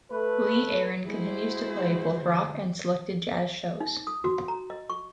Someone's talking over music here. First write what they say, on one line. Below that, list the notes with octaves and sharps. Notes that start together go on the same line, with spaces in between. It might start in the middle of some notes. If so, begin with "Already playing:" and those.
Lee Aaron continues to play both rock and selected jazz shows.
A3 B4
G#3 E4 F#4 C5
D#4
D#6
F#4
A#5
D#5
C#6